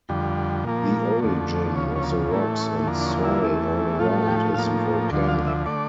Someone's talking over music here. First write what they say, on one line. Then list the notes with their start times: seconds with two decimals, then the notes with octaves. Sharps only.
The origin of the rocks and soil all around is volcanic.
0.09 F2 D3 G3
0.64 A#2 F3 A#3
1.19 F2 D3 A3
1.76 D2 C#3 F3 C#4
1.95 C#4
2.03 A#3
2.31 A2 E3 A3 A#3
2.60 C#4
2.87 E2 D3 F3 A#3
3.01 D4
3.07 C#4
3.24 E4
3.43 E2 E3 A3
3.99 A2 F3 A3 F4
4.27 G4
4.54 A2 F3 A#3 F5
5.11 D2 D3 F3
5.28 F5
5.47 E5
5.66 D3 A3 D5